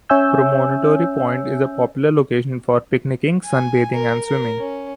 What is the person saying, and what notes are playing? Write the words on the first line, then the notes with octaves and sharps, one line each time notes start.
Promontory Point is a popular location for picnicking, sunbathing, and swimming.
C#4 C#5 E5 G#5 E6 G6
G#5
A#4
A#4
C#4